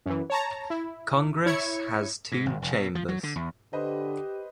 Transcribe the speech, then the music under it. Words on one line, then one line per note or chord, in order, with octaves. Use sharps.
Congress has two chambers.
F#2 E3
C#5 A5 A#5
E4
E4 C#5 G#6 C#7
G#2
G#1
F1
B2
F3
F#3
D3
E2
D3 G4 B4 C5 D#5